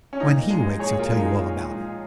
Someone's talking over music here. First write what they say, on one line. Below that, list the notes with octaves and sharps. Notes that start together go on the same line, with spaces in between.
When he wakes he'll tell you all about it.
C#4
A#2 D#4
F3 G#3
A#2 G#4 C#5
F4 A#4
F3 G#3
D#4 G#4
A#2
F3 G#3